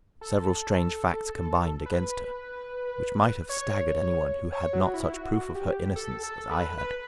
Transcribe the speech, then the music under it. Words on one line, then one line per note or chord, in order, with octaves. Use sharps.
Several strange facts combined against her, which might have staggered anyone who had not such proof of her innocence as I had.
A4
B4
C#5
C#5
F#4
E4
F#4
G4
A4
A4
B4
B4